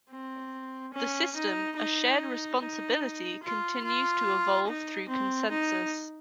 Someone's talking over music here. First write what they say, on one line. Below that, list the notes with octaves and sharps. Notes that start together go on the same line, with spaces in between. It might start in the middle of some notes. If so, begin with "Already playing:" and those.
The system, a shared responsibility, continues to evolve through consensus.
C4
C#4
D#4
D#4
D#4
F4
F4
D#4
C4
D#4